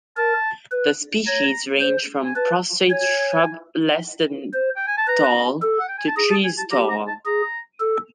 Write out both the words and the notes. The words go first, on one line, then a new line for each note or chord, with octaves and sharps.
The species range from prostrate shrubs less than tall to trees tall.
A#4 A5
B4
C#5 A#5
C5
G#5
B4 A5
C#5 G#5
C5
G5
G#5
A5
B4 A#5
A4
F#5
G5
G#5
A5
G#4 A#5
A5
G#5
A5
G4 A#5
A#5
A5
G#4 A#5
A4